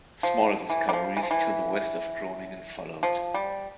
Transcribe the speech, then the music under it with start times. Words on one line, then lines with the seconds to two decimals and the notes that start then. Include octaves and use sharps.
Smaller discoveries to the west of Groningen followed.
0.23 F3
0.70 E3
0.89 G3
0.93 F3
1.17 E3
1.23 F3
1.31 E3
3.03 F3
3.34 G3